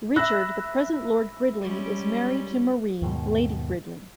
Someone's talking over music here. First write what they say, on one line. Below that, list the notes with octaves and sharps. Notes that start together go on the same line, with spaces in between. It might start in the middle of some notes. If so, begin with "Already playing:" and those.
Richard, the present Lord Gridley, is married to Marie, Lady Gridley.
E5 B5 E6 F#6 A#6
G3 G#3 C#4
D#2 G#2 B2